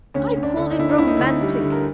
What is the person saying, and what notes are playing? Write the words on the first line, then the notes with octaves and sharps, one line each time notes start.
I call it romantic.
D2 C#4
D2
D4
D3
D#4
D3 E4
D#4
D2 E4
D#4
D2 E4
D#4
G3
D3
A#4